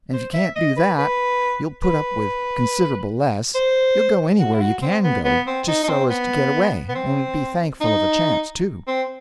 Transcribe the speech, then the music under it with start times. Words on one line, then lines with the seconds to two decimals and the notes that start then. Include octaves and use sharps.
And if you can't do that, you'll put up with considerable less; you'll go anywhere you CAN go, just so as to get away, and be thankful of the chance, too.
0.13 C5
0.34 E5
0.56 D#5
0.77 B4
0.98 B4
1.83 B4
3.54 C5
4.40 F#4
4.54 E4
4.61 F#4
4.82 C4
5.04 B3
5.25 B3
5.47 C4
5.68 D#4
5.83 D#4
5.89 C4
6.10 B3
6.89 B3
6.95 C4
7.81 D#4
8.87 C4